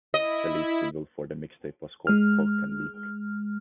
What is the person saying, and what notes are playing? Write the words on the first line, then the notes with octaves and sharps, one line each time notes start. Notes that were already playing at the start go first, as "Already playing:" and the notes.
The lead single for the mixtape was titled "Pork and Leek".
E4 D#5
G#3 F6